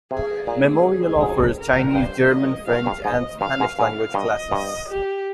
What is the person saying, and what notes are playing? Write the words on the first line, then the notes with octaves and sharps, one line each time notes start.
Memorial offers Chinese, German, French and Spanish language classes.
C3 G#4
A#2 G#4
G#2
A#4
G2 C5
D#5
F2 F5
G2
G#2 D#5
G2 F5
G#2
G#2 F5
G2 D#5
G2
G4